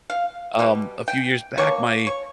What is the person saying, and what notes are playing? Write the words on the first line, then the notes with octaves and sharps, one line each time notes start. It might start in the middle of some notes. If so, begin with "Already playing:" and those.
um, a few years back, my,
F5
B2 G3
G5
B2 G3 A#3 C#5
C#5